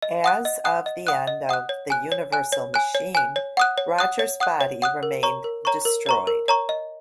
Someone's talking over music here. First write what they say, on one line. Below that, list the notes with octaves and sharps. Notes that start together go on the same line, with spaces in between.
As of the end of "The Universal Machine", Roger's body remained destroyed.
D#5
F#5 D#6 F#6
D#5
F#5 D#6 F#6
D#5
F#5 D#6 F#6
D#5
F#5 D#6 F#6
C#5
G#5 F#6
C#5
G#5 F#6
C#5
G#5 F#6
C#5
G#5 F#6
C#5
F#5 D#6 F#6
C#5
F#5 D#6 F#6
C#5
F#5 D#6 F#6
C#5
F#5 D#6 F#6
A#4
C#5 A#5 C#6
A#4
C#5 A#5 C#6
A#4
C#5 A#5 C#6
A#4
C#5 A#5 C#6
D#5